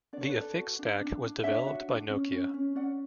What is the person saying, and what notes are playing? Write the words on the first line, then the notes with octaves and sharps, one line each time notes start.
The Affix stack was developed by Nokia.
D4 D5
C#5
B4 D5
A4
F#4
D4
D4
D4
D4 C#5 E5
F#4
D4
C#4
C#4
C#4
C#4 D5 F#5